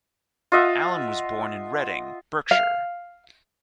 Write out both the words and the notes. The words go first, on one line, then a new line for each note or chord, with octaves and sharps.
Allen was born in Reading, Berkshire.
F4 D#5 E5 F#5
F5